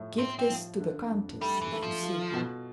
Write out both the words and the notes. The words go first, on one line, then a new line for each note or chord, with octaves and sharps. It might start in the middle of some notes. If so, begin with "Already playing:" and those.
"Give this to the countess... if you see her."
Already playing: A2 F3
A2 C4
C4
F3
D3
F2
G3 A3
E3
A3
F3
F4
B2